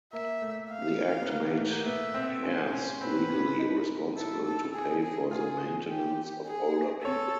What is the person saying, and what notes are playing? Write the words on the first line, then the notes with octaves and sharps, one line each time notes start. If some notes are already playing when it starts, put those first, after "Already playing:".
The act made heirs legally responsible to pay for the maintenance of older people.
A#3 E5
A3
F5
B3
A#3
B3
A3
A#3
B3 E5
C4
C#4 C5
C#4
C4 B4
C4
C#4
D#4
E4 A4
A4
G#4
G#4
F4 G#4
G4
G#4
A4 C#5